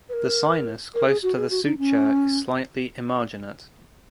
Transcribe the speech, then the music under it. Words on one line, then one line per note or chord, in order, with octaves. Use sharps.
The sinus close to the suture is slightly emarginate.
B4
A#4
A#4
G#4
F#4
G#4
F#4
D#4
C#4